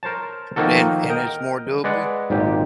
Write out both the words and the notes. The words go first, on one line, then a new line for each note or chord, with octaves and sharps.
then and it's more doable,
A#4 C5 C#5 A5
D#3 F3 A#3 F#4 A4
A#4 D#5 G5
G#3 B4 D5 F#5
G#1 A#2 G4